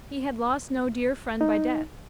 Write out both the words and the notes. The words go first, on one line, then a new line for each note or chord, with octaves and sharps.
He had lost no dear friend by death.
D#4